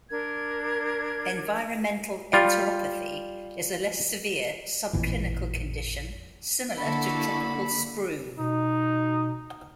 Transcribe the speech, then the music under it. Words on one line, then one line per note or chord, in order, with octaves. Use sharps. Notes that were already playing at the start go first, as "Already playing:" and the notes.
Environmental enteropathy is a less severe, subclinical condition similar to tropical sprue.
D4 A#4 G#6
G3 F4
A1 F2 A#2 E3
D3 A#3 E4 F#4 A4 B5
B2 D#4